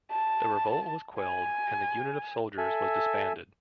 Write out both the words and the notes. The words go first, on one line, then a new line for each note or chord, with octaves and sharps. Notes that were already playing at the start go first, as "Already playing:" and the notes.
The revolt was quelled and the unit of soldiers was disbanded.
A5
G#5
A4 E5 G#5